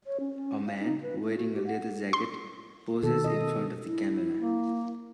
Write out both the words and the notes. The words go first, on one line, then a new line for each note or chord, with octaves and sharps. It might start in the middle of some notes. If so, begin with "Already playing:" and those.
A man wearing a leather jacket poses in front of the camera.
C#5
C#4
C#4
F5
D#4
B4
A3
F#4
G4
F#5
C6
B2 D#3 A4
D#5
E4
A#3